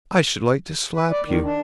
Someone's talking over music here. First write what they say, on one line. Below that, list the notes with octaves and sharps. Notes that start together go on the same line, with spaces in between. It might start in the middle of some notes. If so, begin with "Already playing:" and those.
"I should like to slap you."
B4
D5
D#3
D4